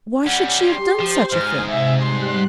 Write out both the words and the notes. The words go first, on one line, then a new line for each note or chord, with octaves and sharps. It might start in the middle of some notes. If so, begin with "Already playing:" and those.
Why should she have done such a thing?
G3 C#4 F#5
G4 C6
F3 C5
G#2 G#5 D#6 F6
C3 E5
G3 C6 F#6